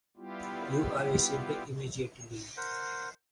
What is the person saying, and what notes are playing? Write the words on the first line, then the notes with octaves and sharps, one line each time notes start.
You are received immediately.
G3 B3 E4 F4 G4
A#4 C5 F#5